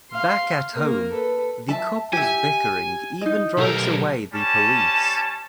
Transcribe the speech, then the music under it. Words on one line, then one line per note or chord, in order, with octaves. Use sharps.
Back at home, the couple's bickering even drives away the police.
F5 C6
A#3 A#4
A4 B4
E5 A5
G4 E5 G#5
D#4 D#5
B1 G4 A4 A#4
G3 C#4 A5